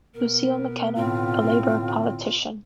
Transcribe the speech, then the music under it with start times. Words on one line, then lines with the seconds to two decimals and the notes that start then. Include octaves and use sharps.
Lucille McKenna, a Labor politician.
0.14 B2 B3 A#4
0.96 A2 D3 C4 F4